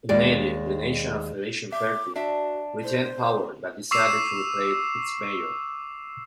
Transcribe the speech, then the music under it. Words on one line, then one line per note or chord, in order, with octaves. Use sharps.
In Nadi, the National Federation Party retained power, but decided to replace its Mayor.
D#2 G#3 D5
E5 D6
D4 F#4 E5
C5
C#6 D6 E6 C7 E7 F7